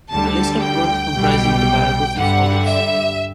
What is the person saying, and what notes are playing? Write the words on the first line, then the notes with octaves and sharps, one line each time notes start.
A list of works comprising the "Biography" follows.
D2 D3 G3 A5
G5
B1 B2 G3
G2 D3 G3 F#5
E5